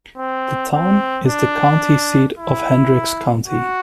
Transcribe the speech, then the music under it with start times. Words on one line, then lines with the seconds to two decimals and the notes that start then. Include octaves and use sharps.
The town is the county seat of Hendricks County.
0.18 C4
0.72 C4
1.27 D4
2.38 E4
3.48 F#4